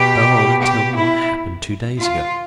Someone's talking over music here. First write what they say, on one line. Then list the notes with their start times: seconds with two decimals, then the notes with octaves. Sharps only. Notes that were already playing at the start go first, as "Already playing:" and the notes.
But go on and tell me what happened two days ago.
Already playing: B2 G4
0.61 G4
0.95 E4
2.00 F4